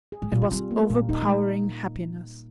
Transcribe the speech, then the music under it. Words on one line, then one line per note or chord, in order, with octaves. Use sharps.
It was overpowering happiness.
G#4
G#2
A#2 F4
C#3
G3 C4
A#3
A#2 C#4
C4 D#4
G#3